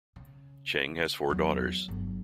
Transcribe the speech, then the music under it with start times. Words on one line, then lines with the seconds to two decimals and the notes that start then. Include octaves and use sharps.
Cheng has four daughters.
0.16 C#3
1.29 E2 F#3
1.88 G1 F#3